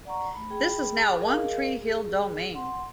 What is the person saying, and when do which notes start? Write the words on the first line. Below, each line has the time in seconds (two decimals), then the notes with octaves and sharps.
This is now One Tree Hill Domain.
0.05 D5 F#5 A#5 C#6
0.33 A3 B5
0.50 G#4 G5 B5
1.18 G#4 A#4 D#5 F5
1.82 G#4
2.54 F#5 C6